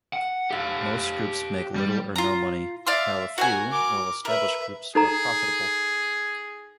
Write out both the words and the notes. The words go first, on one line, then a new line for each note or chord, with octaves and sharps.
Most groups make little or no money, while a few, well-established groups are profitable.
F#5
G4 F5
G3
F4 A#5
D5 E5 F5 C6
F#4 A#4 F#5 G#5
A#4 D6
A#4 B4 E5
D#4 G#4 A4 A#5